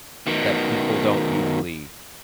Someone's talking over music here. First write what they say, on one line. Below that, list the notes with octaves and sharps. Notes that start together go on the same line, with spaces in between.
that people don't usually
B2 D#3